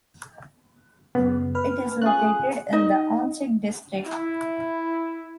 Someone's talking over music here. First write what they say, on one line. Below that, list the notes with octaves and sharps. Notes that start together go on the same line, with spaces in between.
It is located in the Ahuntsic district.
F#2 C#3 B3
B4 F6
C#4 F4 G#4 D#6 F#6
D#4 D#5
E4